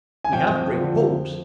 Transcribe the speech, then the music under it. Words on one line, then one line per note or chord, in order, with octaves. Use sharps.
"We have great hopes."
G#5
F2 G5
F2
F3
D3
F2
F2